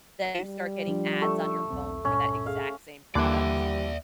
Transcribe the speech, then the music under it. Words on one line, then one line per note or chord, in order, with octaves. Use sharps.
then you start getting ads on your phone for that exact same product?
G3
F3 D4 F4
A3
B1 E2 C4
C#2 G2 A#2 C#4
G#4 F5
D#2 D3 E3 G3 A#3 D5 E5